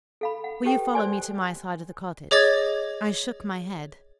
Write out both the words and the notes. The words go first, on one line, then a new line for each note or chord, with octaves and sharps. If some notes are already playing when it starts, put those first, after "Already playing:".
"Will you follow me to my side of the cottage?" I shook my head.
A4 F5 B5
F#5
G4 A4 B4 G5
C5 D5 G#5 C6
G#4 C#5 D#5 D6 G#6 A6